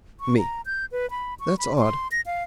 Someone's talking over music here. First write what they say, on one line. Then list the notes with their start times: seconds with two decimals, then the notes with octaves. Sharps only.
ME: That's odd.
0.20 C#6
0.37 A#5
0.66 G6
0.92 B4
1.11 B5
1.40 C#6
1.59 B5
1.79 C6
2.12 A#6
2.26 F5